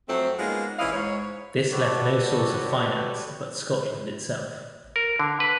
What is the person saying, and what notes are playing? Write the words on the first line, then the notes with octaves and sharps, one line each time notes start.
This left no source of finance but Scotland itself.
F2 F#3 A3 C4
G#3 A#3 B3 C#4 D#4 F4
E3 C#4 E4 D#5 F5
G#2 C#5
F#4 G4 A4 B4 C#5 D5
A#4
D3
B4